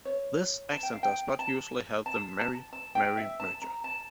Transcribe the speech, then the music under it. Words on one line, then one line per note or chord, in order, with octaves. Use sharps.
This accent does not usually have the "marry"-"merry" merger.
C#5
A5
G5
F5
G5
A5
A5
A5
A5
G5
E5
A5
A#5
A5